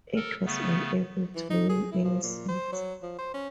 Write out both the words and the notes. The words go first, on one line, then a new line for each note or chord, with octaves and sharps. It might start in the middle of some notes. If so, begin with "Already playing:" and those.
It was unable to win any seats.
A4 A#4
C#3 A3 B3
E3
D#4
G#4
E4
F3
A#2
C5
F#3
F3
C5
C#4